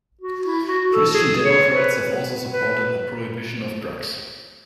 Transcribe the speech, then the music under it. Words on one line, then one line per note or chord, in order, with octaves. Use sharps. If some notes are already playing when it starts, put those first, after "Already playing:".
Christian Democrats have also supported the prohibition of drugs.
F#4
E4
F#4
A4
G#4
C#5
B4
B4